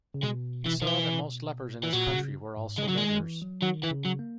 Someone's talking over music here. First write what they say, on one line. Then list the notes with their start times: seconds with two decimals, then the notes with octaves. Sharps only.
He saw that most lepers in his country were also beggars.
0.14 C#3
0.23 B2 G#3
0.66 E3
0.82 D#3
0.87 E3
1.84 E3
1.93 A#2 F#3
2.14 C#3
2.57 G#2
2.78 C#3 G#3
2.88 F#3
2.97 D#3 G#3
3.20 E3
3.42 F#3
3.62 D#3 F#3
3.83 E3
3.91 C#3
4.05 F#3
4.19 A#3